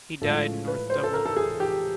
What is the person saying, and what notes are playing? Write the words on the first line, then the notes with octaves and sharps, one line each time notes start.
He died in north Dublin.
A2 F3 G#3 A4
B4
C5
A4
A#4
A4
G#4
G4